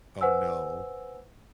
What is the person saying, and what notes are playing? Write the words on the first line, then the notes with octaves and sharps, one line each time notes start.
Oh, no.
B4 C5 F#5 G#5 E6